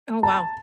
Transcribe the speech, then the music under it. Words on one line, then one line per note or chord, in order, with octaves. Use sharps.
Oh, wow.
A5